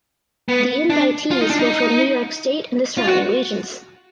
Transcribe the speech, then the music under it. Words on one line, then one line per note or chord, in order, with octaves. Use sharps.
The invitees were from New York state and the surrounding regions.
B3
D4
F4
D#4
D4
D#4
F4
F#4